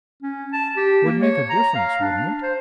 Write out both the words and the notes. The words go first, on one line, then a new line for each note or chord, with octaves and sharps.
Would make a difference, wouldn't it?
C#4
A5
G4
A#3
C#5
A#5
F5
D4
C5